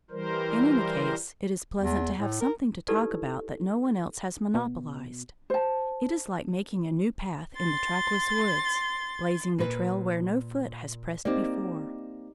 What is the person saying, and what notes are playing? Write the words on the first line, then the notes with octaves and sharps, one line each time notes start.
In any case, it is pleasant to have something to talk about that no one else has monopolized; it is like making a new path in the trackless woods, blazing the trail where no foot has pressed before.
E3 G3 A#4 C5
E2
A2
A#4
D#4 E4 G4 A4 B4 D5
B2
C5 A5
C6 A6
A#2 B4
A#3 C4 D#4 G4 D5